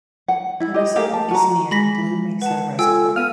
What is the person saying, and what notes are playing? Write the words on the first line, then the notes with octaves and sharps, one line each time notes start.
Gunnison is near Blue Mesa Reservoir.
F#5
E4
G4 D#5
G4 G#4 A#4 F5
A5
F#4 A#5
G#3 B5 A#6 B6
B4 F#5 A5
F4 A4 G5 G#5 E6
B3 F5 F6 D#7